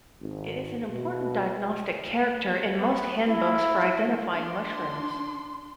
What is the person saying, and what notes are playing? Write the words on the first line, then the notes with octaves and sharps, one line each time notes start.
It is an important diagnostic character in most handbooks for identifying mushrooms.
G#1
B2
B3
E4
D4 C6